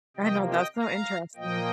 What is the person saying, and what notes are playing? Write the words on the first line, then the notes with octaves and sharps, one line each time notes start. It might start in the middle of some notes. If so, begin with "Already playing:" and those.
I know, that's so interesting.
C3 F3 A#3 D#5 G5
D#5 G5
F5 A#5
A#2 F3 A#3 D#5 G5